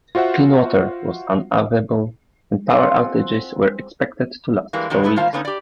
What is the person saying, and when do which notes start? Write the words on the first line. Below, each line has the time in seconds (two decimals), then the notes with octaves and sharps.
Clean water was unavailable, and power outages were expected to last for weeks.
0.15 F4 F#4 C5 E5 F#5
2.70 C4 F4 G#4 F#5
4.73 E3 G3 G#3 A#3
4.90 C3 D#3 F#3 G#3
5.03 A3 B3 E4 B4
5.16 D#3 A#3 F4 C5 F5 A5
5.33 D3 A#3 B3 C#4 D#4
5.45 G4 D5